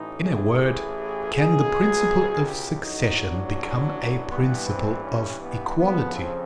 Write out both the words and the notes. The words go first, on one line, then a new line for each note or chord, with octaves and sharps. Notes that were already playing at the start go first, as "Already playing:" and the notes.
In a word, can the principle of succession become a principle of equality?
Already playing: A1 A2 E3 D#4
G#4
C#2 B2 G#3 G#4
G4
A1 A2 F#3 D#4
D4
G2 E3 G3 B3
C4
C#4
B3
F2 C#3 F3 B3
C4